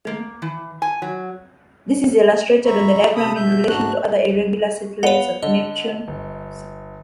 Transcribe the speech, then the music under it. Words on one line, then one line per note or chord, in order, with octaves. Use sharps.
This is illustrated on the diagram in relation to other irregular satellites of Neptune.
A#3
E3
G#5
F#3
E5 A#5 B5 C#6
C3 A4 B5 D#6
B2 E5 G6
G#2 A3 D4 F#4 F#6
B3 F4 A4 C#5 F#5
D3 D#5
G1